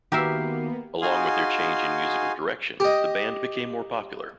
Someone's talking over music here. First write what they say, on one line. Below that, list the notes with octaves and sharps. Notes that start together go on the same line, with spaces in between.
Along with their change in musical direction, the band became more popular.
D#3 A#3 B3 F#4 G4 A#4 E5 C7
D#4 F#4 G#4 F5 G#5 C6
G4 D#5